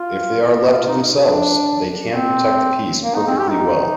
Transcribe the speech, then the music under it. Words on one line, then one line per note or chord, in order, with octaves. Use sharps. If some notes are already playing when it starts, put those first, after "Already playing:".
If they are left to themselves, they can protect the peace perfectly well.
Already playing: F4
F4
D#4
D4
C4
A#3
D#4
C4
G4
D#4